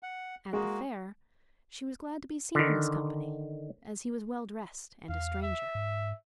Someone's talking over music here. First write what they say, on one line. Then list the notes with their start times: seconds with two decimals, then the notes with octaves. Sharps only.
At the Fair she was glad to be seen in his company as he was well dressed and a stranger.
0.03 F#5
0.53 G#3 A#3 F#4
2.55 D3 D#3
5.09 E2 F5
5.43 E5
5.75 G#2